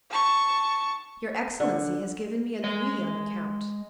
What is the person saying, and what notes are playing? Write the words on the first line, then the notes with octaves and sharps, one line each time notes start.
"Your excellency has given me a louis on account."
A5 C#6
D3
G#3 D#5